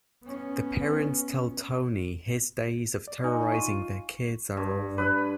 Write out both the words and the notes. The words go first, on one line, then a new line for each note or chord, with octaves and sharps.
The parents tell Tony his days of terrorizing their kids are over.
B3 C#4
D5
D#4 D#5 G#5
F4 C#6 D#7
G2
B4